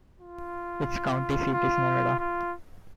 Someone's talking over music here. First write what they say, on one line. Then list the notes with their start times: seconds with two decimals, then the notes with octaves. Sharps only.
Its county seat is Nevada.
0.20 F4
1.53 F4
2.20 F4